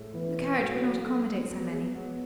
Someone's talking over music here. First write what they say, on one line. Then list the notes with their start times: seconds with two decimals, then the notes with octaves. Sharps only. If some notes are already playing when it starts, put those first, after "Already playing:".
The carriage would not accommodate so many.
Already playing: A2 G#3 A3
0.13 E3 B3
0.27 C#4
0.38 B2 B3
0.59 A2 F#3 A3
0.82 C#3 C#4
1.04 A3 A4
1.50 F#3 B3 F#4
1.72 G#3 G#4
1.95 F#3 B3 F#4